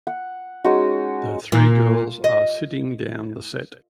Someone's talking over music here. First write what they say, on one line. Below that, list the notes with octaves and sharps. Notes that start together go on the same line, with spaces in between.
The three girls are sitting down the set.
F#5
G#3 C#4 D#4 F#4
A#2
D#5